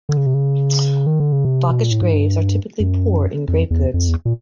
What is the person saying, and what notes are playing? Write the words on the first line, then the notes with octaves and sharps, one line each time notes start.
Vakhsh graves are typically poor in grave goods.
D3
C#3
C3
C#3
D#3
D3
C#3
C3
B2
A#2
A2
G#2
G2
F#2
F2
E2
F2
E2
A#2